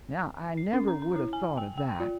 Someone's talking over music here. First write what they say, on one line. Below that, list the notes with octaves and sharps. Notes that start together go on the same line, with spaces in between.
Now I never would 'a' thought of that.
C7
C#4
A#5
A#5
E4
G#5
G5
G5
F4